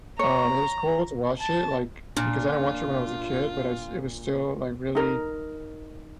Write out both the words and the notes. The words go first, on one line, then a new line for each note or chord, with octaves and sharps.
um, it was cool to watch it, like, because I didn't watch it when I was a kid, but I s it was still, like, really
C#5 A#5
A5
A#2 D4 F4
D#4 A#4